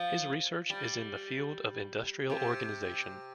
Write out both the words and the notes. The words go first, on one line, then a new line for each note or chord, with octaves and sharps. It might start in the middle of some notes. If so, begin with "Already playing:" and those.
His research is in the field of Industrial Organization.
Already playing: F3
G3
C3